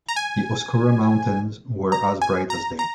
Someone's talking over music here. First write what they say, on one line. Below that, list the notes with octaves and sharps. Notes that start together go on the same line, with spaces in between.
The Oscura mountains were as bright as day.
A#5
G#5
A#5
G#5
A#5
A#5